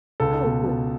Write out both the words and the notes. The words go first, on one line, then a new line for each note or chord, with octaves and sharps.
Oh, cool.
C#2 A4
B2
B2